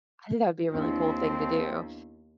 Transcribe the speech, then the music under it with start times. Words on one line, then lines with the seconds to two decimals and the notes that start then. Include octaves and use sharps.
I think that would be a really cool thing to do. It's
0.74 D#2 B3 C4 D4 E4